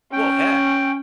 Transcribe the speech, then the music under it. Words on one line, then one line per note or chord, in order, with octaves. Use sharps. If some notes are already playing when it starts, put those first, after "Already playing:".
Well, heck.
C#4 G5